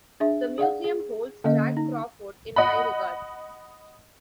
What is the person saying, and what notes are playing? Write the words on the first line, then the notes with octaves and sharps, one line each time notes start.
The Museum holds Jack Crawford in high regard.
D4 G#4 E5
G#4 D5 F5 F#5
G#4
D3 A#3 C#4 D#5
D#4
D#5 F#5 B5